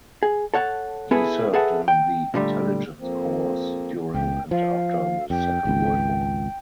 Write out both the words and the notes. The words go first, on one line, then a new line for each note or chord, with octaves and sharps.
He served in the Intelligence Corps during and after the Second World War.
G#4
A4 C#5 F#5 A5
B3 E4 G#4 A4 B4
G#4 A4 B4 E5 F#5 A5
G5
A#2 D3 G3 A3
F2 F3 A#3 C4
C#2 G5
F3 F5
F2 G5
G#1 C#2